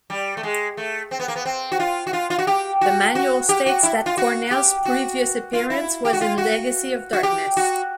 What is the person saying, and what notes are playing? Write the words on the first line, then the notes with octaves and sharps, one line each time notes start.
The manual states that Cornell's previous appearance was in Legacy of Darkness.
G3
A3
G#3
A3
C4
B3
A#3
B3
C4
F#4
F4
F#4
F4
F4
F#4
G4
F#4
F#4
G4
F#4
E4
F4
F#4
G4
F#4
F4
E4
G4
F#4
F4
F#4
F#4
G4
F#4